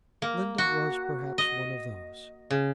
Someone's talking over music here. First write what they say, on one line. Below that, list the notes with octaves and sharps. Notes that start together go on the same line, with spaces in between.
Linda was, perhaps, one of those.
A#3
F#4
D#5
C#3